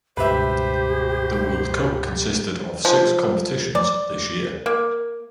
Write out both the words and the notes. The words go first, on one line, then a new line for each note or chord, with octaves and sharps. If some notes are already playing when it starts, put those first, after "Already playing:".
The World Cup consisted of six competitions this year.
C#2 G2 B2 G4 B4 C5 E5
F3
D5
A#3